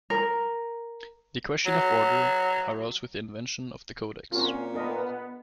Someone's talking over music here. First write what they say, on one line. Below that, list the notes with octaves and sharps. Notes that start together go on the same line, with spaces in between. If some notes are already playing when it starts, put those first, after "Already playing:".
The question of order arose with the invention of the codex.
A#4
F#3
A#2 C4 C#4 F4 F#4
B3 D4 A#4 D#5